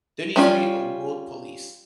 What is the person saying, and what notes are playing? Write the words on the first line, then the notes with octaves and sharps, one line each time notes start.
There needs to be a world police.
G3 C#4 F4 D5